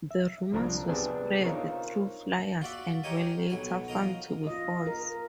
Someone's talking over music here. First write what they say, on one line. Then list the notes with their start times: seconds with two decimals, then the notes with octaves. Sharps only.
The rumors were spread through flyers and were later found to be false.
0.11 E5
0.52 C2 F3 D4 A#5
0.88 C3 B3 D4 G#4 A5
1.44 D#4 F4 A#4 C5 C#5
2.62 F4 F#4 D5 E5
3.04 D#4 G4 A#4 C#5 D#5 G#5
3.50 B1 F#3 G#5
3.88 F3 A#4 D#5 A#5
4.47 F4 D#5
4.87 A#4